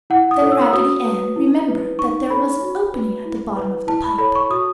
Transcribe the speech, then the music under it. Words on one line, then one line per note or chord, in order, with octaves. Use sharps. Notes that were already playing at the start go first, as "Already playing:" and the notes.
Then Raggedy Ann remembered that there was an opening at the bottom of the pipe.
E4 F#5
D#6
A4 C#5
E6
F#4 D#6
B4
E4
B4
D#4 C#6
A4 C#5 B5
F#4
B4
E4
B4
E4 A5
B5
A4 C#5 B5
C#6
F#4 D#6